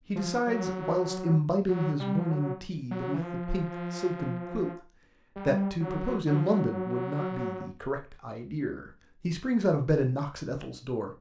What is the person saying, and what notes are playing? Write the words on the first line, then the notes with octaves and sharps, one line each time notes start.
He decides "whilst imbibing his morning tea beneath the pink silken quilt," that to propose in London would not be the "correct idear." He springs out of bed and knocks at Ethel's door.
F3
F#3
F#3
G3
F3
F#3
F#3
E3
F3
G3
F#3
F#3
F3
F#3